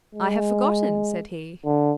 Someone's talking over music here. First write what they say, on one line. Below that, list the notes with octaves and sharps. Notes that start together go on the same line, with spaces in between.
"I have forgotten," said he.
G#3
D3